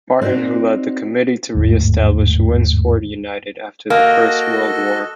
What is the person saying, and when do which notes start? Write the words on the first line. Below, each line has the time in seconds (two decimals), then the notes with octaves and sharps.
Barton, who led the committee to re-establish Winsford United after the First World War.
0.22 C4 D4 D#4 F#4 D#5
1.55 G1 D#2 G#2 A3
3.90 A#3 F#4 A4 D#5